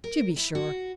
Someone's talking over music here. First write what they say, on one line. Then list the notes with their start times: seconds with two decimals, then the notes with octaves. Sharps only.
'To be sure!
0.04 A#4
0.36 E4
0.55 F#4